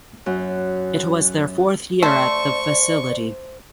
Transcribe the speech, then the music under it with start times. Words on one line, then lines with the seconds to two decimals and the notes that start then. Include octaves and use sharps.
It was their fourth year at the facility.
0.26 F#2
2.03 A3 C5 D5 C#6